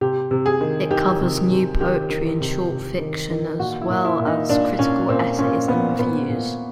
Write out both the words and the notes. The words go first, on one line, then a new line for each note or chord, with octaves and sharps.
It covers new poetry and short fiction, as well as critical essays and reviews.
C3 G4
C3
G#4
D#3
D#3 G4
C3
C3
D#3 G4
D#3
C3
C3
D#3
D#3
A#2 F#4
E4
A#2
E4
A#2
D#4
A#2 D4
A#2 C#4
A#2 C4
A#2 C#4
A#2 B3
A#2 B3
A#2